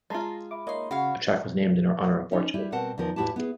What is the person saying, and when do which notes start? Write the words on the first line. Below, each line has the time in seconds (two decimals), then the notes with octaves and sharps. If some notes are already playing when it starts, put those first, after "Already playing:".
A track was named in her honour in Portugal.
0.10 G#3 F4 A5 A#5 C6
0.51 E5 B5 D6
0.67 A#3 D#4 C#5 D#5 C6
0.91 C#3 F#4 C#5 F5 F#5 B5
2.32 C#4 D#4
2.54 G3 E4 G4
2.72 B2 C4 A#4 F#5 A5
2.98 E2 D#3 F3 A#4
3.16 E2 A2 E4 F#4 G4 A5
3.36 B3 E4 G#4